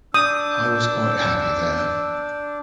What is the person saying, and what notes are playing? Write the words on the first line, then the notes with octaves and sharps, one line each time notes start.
I was quite happy there.
D4 D#6 E6 G6